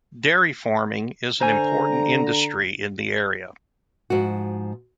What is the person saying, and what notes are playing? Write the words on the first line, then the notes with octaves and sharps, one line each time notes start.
Dairy farming is an important industry in the area.
D3 C5 G#5 A#5
G#2 F3 F#4